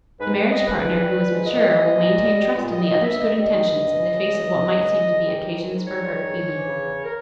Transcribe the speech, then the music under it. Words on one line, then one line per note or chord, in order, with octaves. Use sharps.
The marriage partner who is mature will maintain trust in the other's good intentions in the face of what might seem to be occasions for hurt feelings.
G#2 B4
G3
G3 D#5
G#2 B4
G#2
G3
G3
G#2
A#2 D#5
G3
G3
A#2
A#2
G3
G3
A#2
G3 D#5
D#3 D#5
G2 E5
G2 D#5
G3 D#5
D#3
G2
G2
E3
C#3
E2
E2
E3
C#3
E2
E2
G3
D#3
G#2
G#2
G3 C#5
D#3
G#2
G#2
E3
C#3
E2
A#4